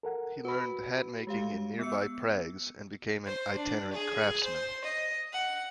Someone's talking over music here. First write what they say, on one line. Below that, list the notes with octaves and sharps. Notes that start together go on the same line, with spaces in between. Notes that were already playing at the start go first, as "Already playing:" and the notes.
He learned hat making in nearby Prags and became an itinerant craftsman.
A4 A#4 F#5
F#4 B4 B5
G#3 G4 F5
B3 E6 C#7
C5
D4
G#4
C5
D#5
F#5